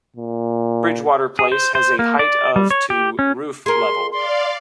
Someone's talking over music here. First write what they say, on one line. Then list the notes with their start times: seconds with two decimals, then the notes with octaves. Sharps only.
Bridgewater Place has a height of to roof level.
0.16 A#2
1.39 G#4
1.52 C5
1.75 C5
1.99 A#3
2.19 D5
2.56 G3
2.71 C#5
2.90 G4
3.19 C#4
3.66 G#4 A#4 C6
4.12 D5 F5 C6